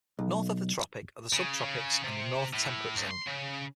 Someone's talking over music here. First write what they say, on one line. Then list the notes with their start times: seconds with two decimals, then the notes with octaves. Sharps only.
North of the tropic are the subtropics and the North Temperate Zone.
0.19 B1
1.33 C#3
1.64 C#3
2.03 C3
2.53 A2
2.97 C#2
3.11 C6
3.28 C#3